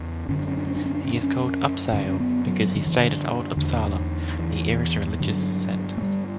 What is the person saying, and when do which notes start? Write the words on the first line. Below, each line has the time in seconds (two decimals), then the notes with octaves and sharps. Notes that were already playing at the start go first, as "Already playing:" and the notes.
He is called "Uppsale" because he stayed at Old Upsala, the era's religious centre.
Already playing: E2 C#3
0.29 F#2 D3 C#4
0.38 D4
0.48 C#4
0.57 D4
0.67 C#4
0.76 D4
0.86 C#4
0.95 D4
1.04 C#4
1.14 D4
1.23 C#4
1.93 F#2 D3 C#4
2.09 C#4
2.20 B3
2.48 F#3
2.75 D3
2.87 E3
2.99 D3
3.57 E2 D3
4.39 E3
5.20 G2 D3 F#3
5.97 A#3
6.02 G3